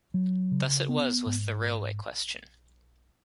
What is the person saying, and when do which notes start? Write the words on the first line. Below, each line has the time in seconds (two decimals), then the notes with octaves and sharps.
Thus it was with the railway question.
0.14 F#3
0.51 C#3
0.89 B3
1.26 G#2